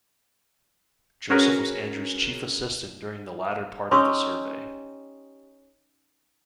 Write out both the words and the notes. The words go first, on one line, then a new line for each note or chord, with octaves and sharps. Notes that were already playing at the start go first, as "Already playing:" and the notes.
Joseph was Andrew's chief assistant during the latter part of the survey.
C#4 F#4 G#4 A#4 B4
C#4 D#4 G4 C6 C#6 E6